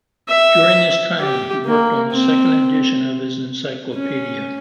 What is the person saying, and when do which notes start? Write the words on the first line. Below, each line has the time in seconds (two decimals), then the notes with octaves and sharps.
During this time, he worked on a second edition of his encyclopedia.
0.28 E5
1.20 G4
1.66 A#3
2.12 C4
3.95 C#4